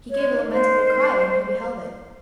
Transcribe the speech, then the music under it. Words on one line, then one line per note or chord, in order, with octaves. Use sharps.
He gave a lamentable cry when he beheld it.
G#3 C#5
D#3
G#3 C5
D#3
G#3